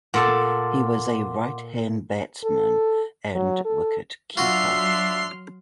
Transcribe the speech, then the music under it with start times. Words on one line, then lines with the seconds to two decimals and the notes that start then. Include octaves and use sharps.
He was a right hand batsman and wicket-keeper.
0.14 A#2 A4 F#5 A5 C6 D6
2.44 A4
3.35 F#3
3.65 A4
4.37 F#3 D4 F4 F#4 E5 C6 F6